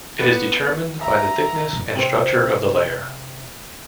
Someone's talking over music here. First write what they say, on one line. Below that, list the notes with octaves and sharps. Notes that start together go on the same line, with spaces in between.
It is determined by the thickness and structure of the layer.
B3 G4
E5 A#5
C3 G4 C5